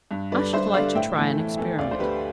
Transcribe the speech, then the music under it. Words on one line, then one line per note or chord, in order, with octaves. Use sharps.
I should like to try an experiment.
G2
D3 G3 B4 D5
G2 C5 E5
D3 G3 D5 F5
A2 E5 G5
E3 A3
A2
E3 A3
D2 D5 F5
C5
D3 A3 G4 B4